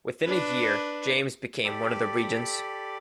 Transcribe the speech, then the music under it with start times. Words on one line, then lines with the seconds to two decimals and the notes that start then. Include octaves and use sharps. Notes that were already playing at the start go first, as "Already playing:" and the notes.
Within a year James became one of the regents.
0.25 D4 B4
1.65 G4 A4 D5 B5 D6